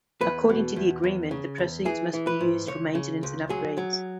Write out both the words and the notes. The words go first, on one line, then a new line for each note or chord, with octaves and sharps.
According to the agreement, the proceeds must be used for maintenance and upgrades.
E2 B4
B2
E2
E2
C#3
E2
E3 G#4
E3
B4
G#2
C#2 C#5
C#3
C#2
F#3 G#4
F#3